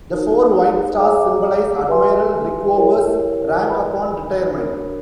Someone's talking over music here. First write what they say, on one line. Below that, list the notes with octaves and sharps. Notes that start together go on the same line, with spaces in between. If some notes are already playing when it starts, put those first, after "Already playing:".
The four white stars symbolize Admiral Rickover's rank upon retirement.
D#4 F#4 A#4 C#5
G#4 C#5 F5 A#5 D6
G4 B4 E5 G#5 C6
E4 G4 A#4 C#5
B4 D#5 G#5 B5
D4 F#4 A#4 C#5